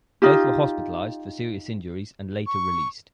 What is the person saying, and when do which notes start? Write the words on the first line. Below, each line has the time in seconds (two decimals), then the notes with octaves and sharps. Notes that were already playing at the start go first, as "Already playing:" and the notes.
Both were hospitalized for serious injuries and later released.
0.22 D#4 F4 G4
2.47 C#6